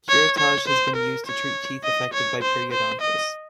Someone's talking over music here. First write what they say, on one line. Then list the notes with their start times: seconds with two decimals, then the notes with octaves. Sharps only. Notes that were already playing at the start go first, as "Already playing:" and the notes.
Curettage has been used to treat teeth affected by periodontitis.
0.09 C#5
0.38 C#5
0.68 C5
0.96 A#4
1.26 C#5
1.84 D#5
2.13 C#5
2.42 C5
2.72 C5
3.01 D#5